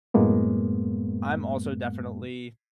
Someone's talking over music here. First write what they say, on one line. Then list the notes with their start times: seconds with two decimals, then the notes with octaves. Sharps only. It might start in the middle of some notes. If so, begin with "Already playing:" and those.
I'm also definitely
0.14 F#2 A2 G#3 A#3 B3